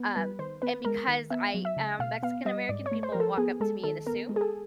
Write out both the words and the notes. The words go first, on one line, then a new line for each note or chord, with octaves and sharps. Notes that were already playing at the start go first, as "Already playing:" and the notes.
um, and because I am Mexican-American, people walk up to me and assume
Already playing: B3
G3 B4
D#3 C5
B3 B4
G#3 A#4
D#3
B3 E5
F#3
E5
C#3
B2 F5
B3 F5
G3 D#5
G#2 D5
C#5
A3
C5
F3 A#4
A4
B3 G#4
G#3 A4
D#3 A4
B3 A#4
G#3
G#4
A4